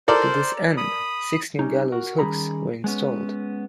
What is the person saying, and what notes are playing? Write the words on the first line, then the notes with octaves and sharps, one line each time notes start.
To this end, six new gallows hooks were installed.
A4 A#4 C5 D5
B5 D#6
G3 C#4 D#4
F#4 A#4 F#5
D#3 G3 C#4 G#4 A#5 B5
G#3 B3 C#4